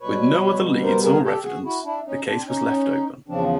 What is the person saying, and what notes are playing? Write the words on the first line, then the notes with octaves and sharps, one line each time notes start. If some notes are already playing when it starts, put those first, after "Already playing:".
With no other leads or evidence, the case was left open.
B2 G3 B4 C#5
A#4 C5
G#4 A#4
G4 A4
F#4 G#4
E4 F#4
D4 E4
C#4 D#4
C4 D4
C#4 D#4
E2 C#3 F3 C4 D4